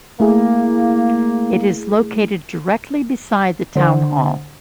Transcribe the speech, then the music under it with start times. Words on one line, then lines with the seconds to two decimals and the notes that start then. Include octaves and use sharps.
It is located directly beside the Town Hall.
0.20 A3 A#3 E4 G#4
3.75 D3 C5